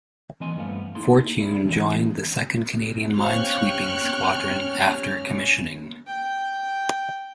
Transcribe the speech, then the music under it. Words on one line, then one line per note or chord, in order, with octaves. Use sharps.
"Fortune" joined the Second Canadian Minesweeping Squadron after commissioning.
E3 A#3 C4 D#5 G#5 C6
G2 F3 A3 B3 F5
A#3 D#4 E4 G#4 A4 C6
C#4 E4 G#4 D5
E3 G#3 C4 D4 F4 F#4
C#4 F#4 C5 F5 G5 C#6 F6 F#6
G5